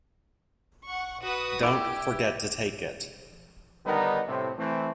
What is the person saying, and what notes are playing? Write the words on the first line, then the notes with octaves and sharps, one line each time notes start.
Don't forget to take it!
F#5 C#6
F#4 B4 D#6
E4 G4 D6
D3 D#3 G3 B3 D#4 A#4
A2 C3 C4
E3 A3 C4